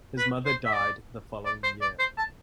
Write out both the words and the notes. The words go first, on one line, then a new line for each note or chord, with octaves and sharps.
His mother died the following year.
B4
C5
E5
D5
D5
C5
D5
C5
A5